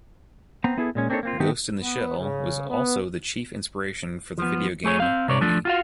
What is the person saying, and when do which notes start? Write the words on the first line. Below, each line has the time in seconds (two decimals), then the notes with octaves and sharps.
"Ghost in the Shell" was also the chief inspiration for the video game "Oni".
0.64 B3 C4 A#5
0.78 B3 E4 G#4 A4
0.95 A#2 G#3 C#4
1.10 A#3 C4 D4 D#4 A4 C#5
1.23 A#3 C4 F4
1.40 D#3 A3 B3 C4 D#4 G4
1.82 B3
2.17 C#3
2.69 B3
4.38 F3 B3
4.84 A3 G#4 C#5
5.00 C4 F5
5.28 C3 C#5 D5
5.41 F3 A3 D4
5.65 F4 F#4 F5